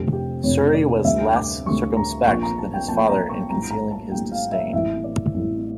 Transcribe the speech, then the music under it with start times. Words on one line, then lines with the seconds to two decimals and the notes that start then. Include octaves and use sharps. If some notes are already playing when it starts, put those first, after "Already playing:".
Surrey was less circumspect than his father in concealing his disdain.
Already playing: F1 F2 D3 G4
0.13 G4
0.43 F1 F2 D3 C#5
0.74 D5
1.04 D2 D3 G3 E5
1.36 D6
1.66 D2 D3 G3 C#6
1.97 A#5
2.27 A#1 A#2 F3 C#6
2.43 A#5
2.58 A5
2.74 G5
2.88 A#1 A#2 F3 A5
3.09 A#5
3.29 C#6
3.50 A#1 A2 G3 A#5
3.71 A#5
3.91 A5
4.12 A#1 A2 G3 G5
4.32 F5
4.52 E5
4.73 A1 A2 E3 G3 E5
5.04 D5
5.34 A1 A2 E3 G3